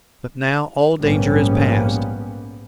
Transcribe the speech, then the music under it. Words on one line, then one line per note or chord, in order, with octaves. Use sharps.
But now all danger is past.
A#1 G#2 G3 A#3 B3 C#4